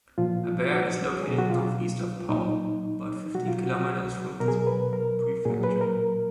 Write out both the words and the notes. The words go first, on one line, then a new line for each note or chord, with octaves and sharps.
Abère is located northeast of Pau, about fifteen kilometers from this prefecture.
A#2 F3 F4
F#4
B2 F#3 G#4
F#4
F4
A#2 F#3 D#4
B2 F#3 F#4
F4
F#4
F#4
B2 F#3 A#4
G#4
A#4
B4
A#4
A#2 F#3 G#4
B4
A#4